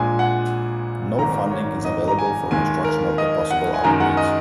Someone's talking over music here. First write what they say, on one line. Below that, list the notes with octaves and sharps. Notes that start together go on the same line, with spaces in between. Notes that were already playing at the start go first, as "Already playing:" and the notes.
No funding is available for construction of the possible upgrades.
Already playing: A#1 A#2 G#3 G#5
F#5
G#1 G#2 D#3 A#5
C#5
D#5
A#5
G#5
D#2 D#3 G#3 G#5
A#4
D#5
F#5
G#5
F#2 D#3 G#3 A#5
F#5
D#5